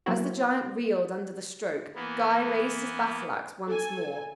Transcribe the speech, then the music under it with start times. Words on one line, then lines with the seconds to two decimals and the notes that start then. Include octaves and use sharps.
As the giant reeled under the stroke, Guy raised his battle-axe once more.
0.06 C3 F#3 A#3 C4 E4 F#4
1.95 E3 A#3 B3
3.66 A4 G#5